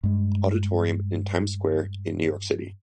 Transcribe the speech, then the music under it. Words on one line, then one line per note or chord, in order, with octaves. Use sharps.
Odditorium in Times Square in New York City.
G2 G#3